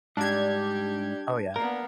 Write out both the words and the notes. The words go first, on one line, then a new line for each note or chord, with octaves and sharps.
Oh, yeah.
G#2 G3 D4 G4 G#6
A#3 B3 A#4